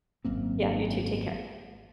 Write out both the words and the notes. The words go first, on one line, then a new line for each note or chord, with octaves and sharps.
Yeah, you too. Take care.
G#1 F#2 A#3 C4